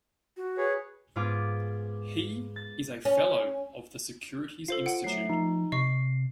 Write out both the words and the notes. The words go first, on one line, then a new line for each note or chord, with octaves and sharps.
He is a fellow of the Securities Institute.
F#4
G#4 B4 C#5
G#2 B3 F4 G#4 D6
A6
C#4
F4 A4 C5 C7
F#5 D7
F#3 A3 C7
F3 D#4
C3 D#5 C#6 C7